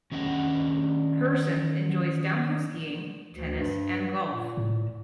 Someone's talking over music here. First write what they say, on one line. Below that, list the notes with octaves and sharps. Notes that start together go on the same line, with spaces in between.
Persson enjoys downhill skiing, tennis and golf.
D#3 C#4 G#4 D#5 E5 F#5
D2
G2
A#2
A2